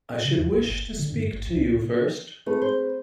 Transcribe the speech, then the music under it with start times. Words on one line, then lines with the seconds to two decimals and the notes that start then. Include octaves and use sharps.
I should wish to speak to you first.
0.25 C#3
0.38 E2
0.54 A#1
0.68 G1
0.84 D#1
0.99 D3
1.12 G2
1.33 G#1
1.47 C#2
1.59 C2
1.73 B2
2.46 A3 C4 G#4 B4
2.62 C5